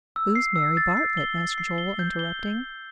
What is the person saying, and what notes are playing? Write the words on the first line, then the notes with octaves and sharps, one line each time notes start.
"Who's Mary Bartlett?" asked Joel, interrupting.
E6
C7
E6
A6
C7
G7
A6
C7
G7
G6
G7